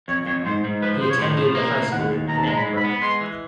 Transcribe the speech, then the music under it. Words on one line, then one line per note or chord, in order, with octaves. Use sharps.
He attended the High School in Edinburgh.
F2 C#5
F2 C#5
G#2 C5
G#2
F3 B4
F3 C5
C#5
A2 C5
F3
A#3
A2
D#2 F#5
D#2
D#2 A#5
A5
G#3 A#5
B5
G#2
B5
B3
B5
G#3 C6
E3